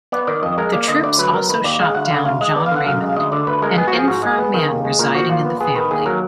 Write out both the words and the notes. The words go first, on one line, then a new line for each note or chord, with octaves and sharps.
The troops also shot down John Raymond, an infirm man residing in the family.
B3 D5
D#3 D5
F2 D#5
G#3 A#4
A#3 D5
D3 D#5
D2 D5
F#3 B4
B3 A#4
D#3 B4
D#2 D5
G#3 F5
D2 F#5
F5
D3
F#5
D2 F5
G#3 D#5
B3 D5
F5
D3
F#5
F#2 F5
G#3
F5
D2 D#5
D3 D5
D2 B4
G#3 A#4
B3 G#4
F#4
F3
G#4
G#2 F#4
G#3 G#4
B3
D#3
D#2
G#3
A#2 A#4
F3 F#4
A#2 F4
B3
B3 G#4
D#3 B4
D#2 G#4
F#3 A#4